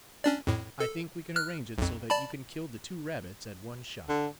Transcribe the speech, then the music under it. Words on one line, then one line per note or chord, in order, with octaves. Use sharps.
I think we can arrange it so that you can kill the two rabbits at one shot.
C#4 D4 D5
F2 A2
A4
F6 F#6
B1 F2
D5 A5 B5
D3